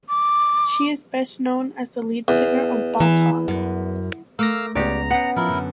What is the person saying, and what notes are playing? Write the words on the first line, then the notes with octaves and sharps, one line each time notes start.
She is best known as the lead singer of Boss Hog.
D6
E2
E3
F#2
A3 A#4 F5 D6 E6 A#6
C#2 C#3 B3 G4 D5 A#5
B3 C#4 F#5
F3 E4 A#4
F#2 D3